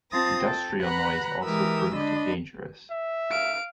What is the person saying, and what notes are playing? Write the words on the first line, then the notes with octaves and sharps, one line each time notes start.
Industrial noise also proved dangerous.
C4 F4 A5 D#6 A#6
A4 G5
B4 F#5 A#5 B5 F#6
E3 G#3 G4 A#4 D#6 E6
D3 D4 D#5 B5
E5
F5 D7